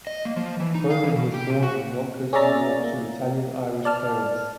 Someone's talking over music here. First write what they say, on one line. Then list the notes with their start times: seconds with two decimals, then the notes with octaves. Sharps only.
Cronin was born in Yonkers, New York to Italian-Irish parents.
0.07 D#5
0.25 A#3
0.36 F3
0.60 E3
0.75 D#4
0.90 F5
1.03 E3
1.16 B2
1.34 G4
1.50 C3
1.63 F#4
2.33 C#4 G#4 D5 E5 A#5 A6
2.84 A#3
3.85 D5 A5 F6